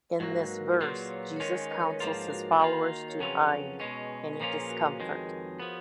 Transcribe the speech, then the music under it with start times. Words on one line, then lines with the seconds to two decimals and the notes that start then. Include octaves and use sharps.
In this verse Jesus councils his followers to hide any discomfort.
0.20 G#2 F#3 A#3 F#4 A#4
0.42 B4
0.51 F#4 A#4
0.81 A#2 F#3 A#3 F4 G#4 B4
1.10 C#5
1.23 B4
1.36 D#3 G#3 C#4 F4 A#4 C#5
1.70 B4 D#5
1.80 A#4 C#5
1.90 A#4 C#5
2.00 G#2 F3 A#3 F4 G#4 B4
2.30 F#4 A#4
2.60 D#3 A#3 F4
3.08 C#5
3.19 F2 C#3 F#3 C#4 F4 G#4 B4
3.79 B2 G#3 C#4 B4 D#5
4.33 B4
4.40 A#2 F3 A#3 C#4 F4 A#4 C#5
4.50 G#4 B4
4.69 F#4 A#4
5.00 F2 D#3 G#3
5.60 F3 B3